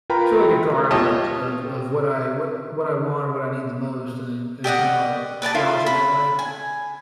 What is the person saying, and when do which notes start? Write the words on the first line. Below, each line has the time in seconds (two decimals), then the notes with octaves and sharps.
So, like a priority list of of what I what what I want or what I need the most and then and then kind of, like, triage it that way?
0.10 F4 A#4 B4 G5 A#5 B5
0.91 F4 G4 C#5 D#5 A5 D#6
4.64 G4 D5 D#5 F#5
5.42 B4 D5 G5 A5
5.55 E4 F4 C5
5.86 B5
6.39 G#5